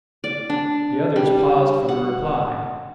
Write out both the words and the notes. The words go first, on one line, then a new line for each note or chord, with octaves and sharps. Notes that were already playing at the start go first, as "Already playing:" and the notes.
The others paused for the reply.
D5
D4
G3
F#5